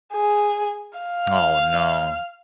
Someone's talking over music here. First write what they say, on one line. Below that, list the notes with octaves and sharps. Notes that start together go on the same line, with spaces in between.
Oh no.
G#4
F5